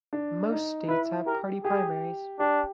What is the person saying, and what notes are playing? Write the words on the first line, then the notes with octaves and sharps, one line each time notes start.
Most states have party primaries.
D4
D#4
E4 B4
G4 A#4
G4 G#4
D4 G4